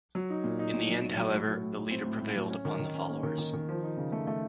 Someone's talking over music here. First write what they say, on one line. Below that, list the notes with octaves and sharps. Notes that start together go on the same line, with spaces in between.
In the end, however, the leader prevailed upon the followers.
F#3
D#4
A#2
D#4
A#2
F#3
A#2
F#3
A2
F#3
A2
A2
C4
A2
A2
F#3
C#4
D#3
D#3
C#4
A#3
D#3
D#3
D#3
F3
D#4
C#3
A3
A3